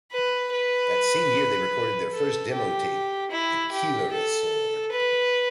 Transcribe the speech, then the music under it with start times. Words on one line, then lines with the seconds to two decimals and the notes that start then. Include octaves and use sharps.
That same year, they recorded their first demo tape, "The Killera Sword".
0.12 B4
0.52 B4
2.12 A4
2.51 G4
3.31 E4
3.72 G4
4.12 A4
4.91 B4